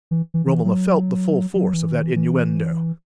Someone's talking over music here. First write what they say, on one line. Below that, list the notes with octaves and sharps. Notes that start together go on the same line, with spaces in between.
Romola felt the full force of that innuendo.
E3
E3
E3
F#3
F#3
E3
D#3
E3
E3